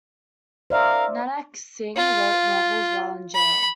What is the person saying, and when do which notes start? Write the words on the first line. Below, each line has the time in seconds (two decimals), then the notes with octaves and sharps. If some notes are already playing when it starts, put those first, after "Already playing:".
Nanak Singh wrote novels while in jail.
0.70 A#4 C5 D5 E5 F5
1.96 F4
3.35 B5